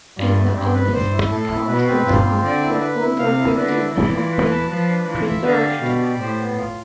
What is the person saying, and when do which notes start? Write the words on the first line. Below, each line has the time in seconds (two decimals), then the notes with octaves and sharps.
In the oldest part of the town the older buildings have been preserved.
0.18 G2 F4
0.36 A3
0.55 G2 C4
0.74 B4
0.93 G2 C5
1.12 E4
1.31 A2 A4
1.50 E4
1.68 B2 B4
1.87 C4
2.06 G2 F4
2.25 C4
2.44 D3 D5
2.62 E4
2.81 B4
3.00 E4
3.19 C3 F5
3.38 E4
3.56 D3 B4
3.76 E4
3.95 E3 D5
4.13 F4
4.32 B4
4.51 A5
4.69 F3 B4
4.89 D4
5.07 E3 F4
5.26 E5
5.45 D3 F5
5.64 G4
5.83 B2 D5
6.01 G4
6.21 A2 C5
6.40 B3
6.58 F4